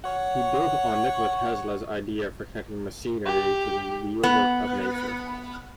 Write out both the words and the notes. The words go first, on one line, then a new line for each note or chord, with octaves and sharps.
He built on Nikola Tesla's idea for connecting machinery to the "wheelwork of nature".
C#5 F#5
G4
B3